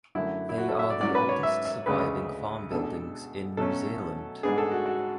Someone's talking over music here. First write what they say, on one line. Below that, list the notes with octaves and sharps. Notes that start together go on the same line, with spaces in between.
They are the oldest surviving farm buildings in New Zealand.
F#2 D3 A3 E4
E4
F#4
A4
E5
D5
G#2 F#3 C#4 D5
B4
C#5
E5
E5
D2 C#3 G#3 C#4 B4
B2 G#3 D4 A4
B2 F#3 A3 C#4 A4
G#2 G#3 B3 D4 G#4
A4
F#4
F#4